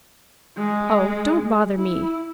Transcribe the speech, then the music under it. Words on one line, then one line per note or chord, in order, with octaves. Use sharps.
'Oh, don't bother me.
G#3
E4